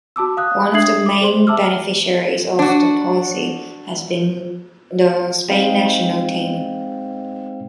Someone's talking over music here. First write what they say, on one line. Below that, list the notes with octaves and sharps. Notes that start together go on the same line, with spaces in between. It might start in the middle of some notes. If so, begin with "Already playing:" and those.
One of the main beneficiaries of the policy has been the Spain national team.
F#4 A5 D6 E6
F5 D#6 F#6
D4 E5 D#6 G#6 C7 F#7
D6
G#4 C5 C6 F#7
E5 A5 D6 E6 F6
D4 F#4
G#3 C4 D#4 C5 F5 G5